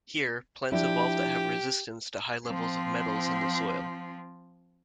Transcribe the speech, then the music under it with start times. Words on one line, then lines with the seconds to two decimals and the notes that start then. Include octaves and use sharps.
Here, plants evolve that have resistance to high levels of metals in the soil.
0.72 F3 D4 E4 G4
2.47 F3 C4